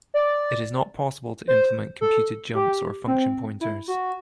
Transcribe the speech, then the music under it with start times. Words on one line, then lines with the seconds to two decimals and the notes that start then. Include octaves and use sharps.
It is not possible to implement computed jumps or function pointers.
0.14 D5
1.48 C5
2.01 A4
2.55 G4
3.07 C4
3.61 E4
3.88 F#4